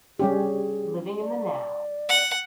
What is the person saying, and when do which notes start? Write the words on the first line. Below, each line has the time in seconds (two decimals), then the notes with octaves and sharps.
Living in the now.
0.19 G3 C#4 G4 G#4
1.21 D5
2.09 F#5